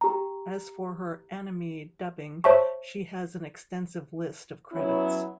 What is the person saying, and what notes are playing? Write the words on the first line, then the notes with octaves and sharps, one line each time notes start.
As for her anime dubbing, she has an extensive list of credits.
G4 A#5
C5 C#5 E5 A5 C#6
F#3 B3 C#4 E4